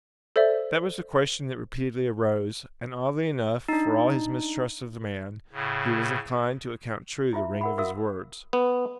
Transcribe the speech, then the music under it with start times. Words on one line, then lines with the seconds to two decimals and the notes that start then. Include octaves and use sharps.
That was the question that repeatedly arose, and oddly enough, for all his mistrust of the man, he was inclined to account true the ring of his words.
0.36 A4 C5 D5 E5
3.69 D4 D#4
5.52 A2 C#3
7.33 E4 F4 E5
7.61 A#4 F#5 B5
7.78 F#4 A#4 E5 F5 D#6 E6
8.53 B3